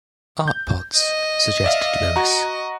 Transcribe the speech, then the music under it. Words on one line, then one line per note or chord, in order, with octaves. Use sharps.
"Art pots," suggested Lewis.
G6
D#5
D5 E5 F5
F#4 A#5